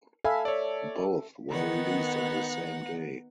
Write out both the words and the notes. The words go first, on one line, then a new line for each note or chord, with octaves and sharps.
Both were released on the same day.
A4 E5 F5 G#5 B5
C#5 D5
D#3 B3 D#4 F#5